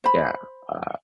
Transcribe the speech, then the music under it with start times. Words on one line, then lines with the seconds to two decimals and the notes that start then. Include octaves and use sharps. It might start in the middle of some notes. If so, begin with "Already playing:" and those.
Yeah, uh,
0.04 C5 B5